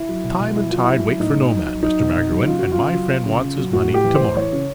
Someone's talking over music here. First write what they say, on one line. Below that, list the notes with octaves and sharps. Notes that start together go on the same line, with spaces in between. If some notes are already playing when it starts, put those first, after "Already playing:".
"Time and tide wait for no man, Mr. Magruin, and my friend wants his money to-morrow."
Already playing: E4
F#3
B2
B2
F#3 E4
F#3 F4
E4
F#3
F#3
A2 D#4
A2
F#3
F#3
F#3 D#4
B2
B2
F#3
C#3 F4
F#3 F#4
F4
C#3
F#3
F#3
C#3
C#3
F#3
A2 F#4
A2 G4
E3
A2 C5
E3 C#5
C#3